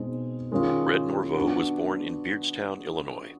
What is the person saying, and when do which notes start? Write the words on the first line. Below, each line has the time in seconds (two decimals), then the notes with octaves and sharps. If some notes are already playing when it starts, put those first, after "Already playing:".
Red Norvo was born in Beardstown, Illinois.
Already playing: B2 G#3 C4 D#4
0.51 D#3 G#3 C#4 F4
1.35 B3 D4 F#4